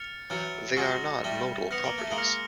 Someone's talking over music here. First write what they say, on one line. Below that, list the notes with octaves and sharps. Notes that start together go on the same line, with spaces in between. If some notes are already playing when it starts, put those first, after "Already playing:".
They are not modal properties.
Already playing: F6 A6 C#7 F7
E3 F#3 F6 A6 C#7 F7
F#3 G#3 C#6 F6 A#6
G3 A3 C#6 F6 A#6
B3 F6 A#6 C#7 F7
A#3
A3
G#3 A#3
F6 A#6 C#7 F7